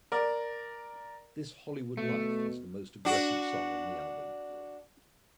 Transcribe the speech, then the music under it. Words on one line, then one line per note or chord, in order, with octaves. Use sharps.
"This Hollywood Life" is the most aggressive song on the album.
A#4 D5
B2 A3
D4 F#4